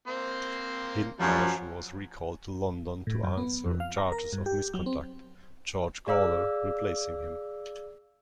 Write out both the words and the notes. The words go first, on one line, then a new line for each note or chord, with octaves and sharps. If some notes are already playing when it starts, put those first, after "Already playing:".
Hindmarsh was recalled to London to answer charges of misconduct, George Gawler replacing him.
A#3 C4 C5
F#2 F3 G3 A3
A2
F#2
B3
F2
F5
A#5
A#4
G2
G4
F#3
C4
G#4 D5 F5 E6